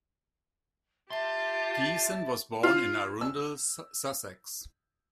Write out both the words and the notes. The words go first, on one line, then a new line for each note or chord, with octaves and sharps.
Geeson was born in Arundel, Sussex.
F4 G4 E5 A5 C6
F4
E6